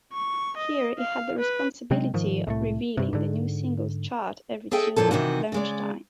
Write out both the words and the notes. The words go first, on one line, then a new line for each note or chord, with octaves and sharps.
Here he had the responsibility of revealing the new singles chart every Tuesday lunchtime.
C#6
D#5
F5
B4
C3 F#3 G#3 C4
G#2 D#3 F3
C2 A2 A3
G2 C3
G#2 D3
G#4 A4 D#5 E5 G5
F#2 A#2 F3 E4 A4
C3 D#3 E3 F#4
C#3 G#3 D5